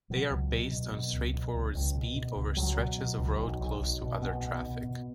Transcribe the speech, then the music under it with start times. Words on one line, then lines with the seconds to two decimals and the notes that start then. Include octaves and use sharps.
They are based on straightforward speed over stretches of road closed to other traffic.
0.10 B2 F#3
0.31 C#2
0.51 B2
0.71 B2
0.92 B2
1.13 C#2
1.33 B2
1.54 C#2
1.75 C#2
1.96 B2
2.16 B2
2.36 C#2
2.57 C#2 F#3
2.78 B2
2.98 B2
3.19 C#2
3.39 B1
3.61 B1
3.81 B1
4.01 B2
4.22 B1 B3
4.43 B2
4.63 B2
4.83 B2